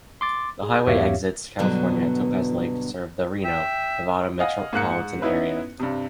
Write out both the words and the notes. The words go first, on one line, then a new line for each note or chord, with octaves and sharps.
The highway exits California at Topaz Lake to serve the Reno, Nevada metropolitan area.
C6 D6 A6
G#4
E2 G#2 G4 C#5 E5 F5
G2 B2 D3 F#3 B3
E5 G5
D#5 F5 F#5 G#5 D#6
G#2 A#3 F#6 C#7
G#2
B3 C#4 D#4 E4 B4
G2 C3